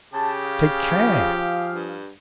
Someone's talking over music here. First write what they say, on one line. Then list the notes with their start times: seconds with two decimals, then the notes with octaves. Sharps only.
Take care!
0.13 C#3 G4 A5
0.43 G#4 F5
0.97 F3
1.73 G2